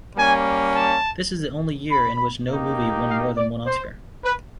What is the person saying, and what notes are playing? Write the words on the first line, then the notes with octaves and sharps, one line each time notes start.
This is the only year in which no movie won more than one Oscar.
G3 A#3 C#4 G#5
A5
B5
A#3 D#4 G4
F5
D5
C5
B4